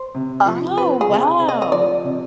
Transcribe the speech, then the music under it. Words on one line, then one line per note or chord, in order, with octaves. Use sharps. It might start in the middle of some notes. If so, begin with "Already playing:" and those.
Oh, wow!
Already playing: C5
C3
F3
C4 B4
G#4
C3
C4
D#5
D#5
F3 D5
C3